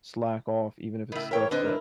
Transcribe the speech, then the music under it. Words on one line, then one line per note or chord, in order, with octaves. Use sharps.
slack off even if it's stuff that
A2 C#3 A#4 D#5 E5
E3 A4 A#4 C#5 E5 G5
D3 C4 D4 D#4 B4 D#5
E4 A#4